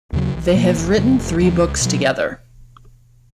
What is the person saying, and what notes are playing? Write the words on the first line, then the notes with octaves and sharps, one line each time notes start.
They have written three books together.
D#2 C#3 F#3
B1
B2 A#3
F1
F2 C#3 F#3
F1
D#2 C#3 F3
C#2
B2 F#3